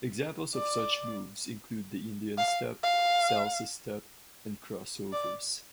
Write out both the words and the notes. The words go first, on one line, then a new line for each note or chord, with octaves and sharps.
Examples of such moves include the Indian step, Salsa step, and Crossovers.
D5
F5
F5
D5